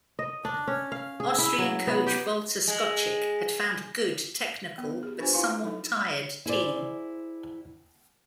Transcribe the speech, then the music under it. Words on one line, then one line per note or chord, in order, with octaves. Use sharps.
Austrian coach Walter Skocik had found a good, technical but somewhat tired team.
D#5
D4
C#4
F5
G#4
E4
F#3
B3
G4
G#3
B3
G4 G#4
D4 F4 G4 B4 C5 G#5
E4 F4 F5 G#5 C6
F#3 D#4 A4
E4 G#4 C5 D5